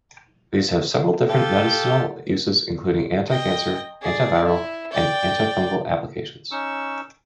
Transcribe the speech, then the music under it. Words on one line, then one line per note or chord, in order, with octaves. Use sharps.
These have several different medicinal uses including anti-cancer, anti-viral, and anti-fungal applications.
F4 G4 A4
D#5 G5
G#4 D5
E4
D5 G5
C#4 D#4 C#6 E6